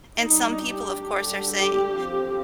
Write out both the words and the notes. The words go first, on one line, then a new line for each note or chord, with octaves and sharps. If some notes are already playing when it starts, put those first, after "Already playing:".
and some people, of course, are saying,
G3 D4 D#4
G4
D3 G3 D4
G4
F3 C4